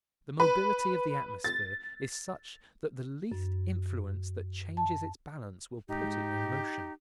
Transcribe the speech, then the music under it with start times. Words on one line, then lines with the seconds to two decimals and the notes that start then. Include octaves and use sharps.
The mobility of the atmosphere is such that the least influence that changes its balance will put it in motion.
0.40 B4
1.44 A6
3.32 F#2
4.77 A5
5.88 G#2 D#4 G4